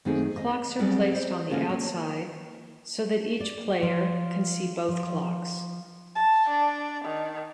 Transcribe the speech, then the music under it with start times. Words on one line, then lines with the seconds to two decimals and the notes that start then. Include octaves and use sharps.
Clocks are placed on the outside so that each player can see both clocks.
0.05 F#2 D#3 A3 C4 D#4 G#4
0.37 D#5
0.79 F#3 G3 B3 C4 G#4 D5
1.12 C5 D5
1.50 D3 A#3 C#4 F4 F#4 G#4
1.70 A#3
3.40 D5
3.83 F3
4.89 F3
6.15 A5
6.48 D4
7.04 D#3